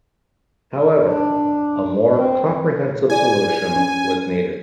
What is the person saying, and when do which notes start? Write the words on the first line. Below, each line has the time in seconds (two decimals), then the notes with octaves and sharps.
However, a more comprehensive solution was needed.
1.05 D4
2.14 C4
3.10 E4 G#4 D5 G#5
3.76 C#4